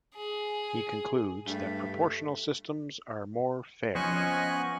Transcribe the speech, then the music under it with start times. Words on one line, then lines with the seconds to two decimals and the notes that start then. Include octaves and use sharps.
He concludes that proportional systems are more "fair".
0.15 G#4
1.46 G2 A3
3.95 F3 B3 C#4 C5 D#5 G#5 C#6 F#6